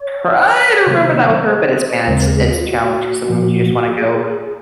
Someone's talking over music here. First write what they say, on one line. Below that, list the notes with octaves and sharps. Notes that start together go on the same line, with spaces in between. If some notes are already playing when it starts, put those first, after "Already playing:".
try to remember that with her, but it's man it's it's a challenge 'cause sometimes you just wanna go.
Already playing: C#5
C3 D#3 F#3 A#3 C5
D#2 C#3 G#3 C4 A#4
G#4
F4
F#4
A#2 F3 A#3
G#4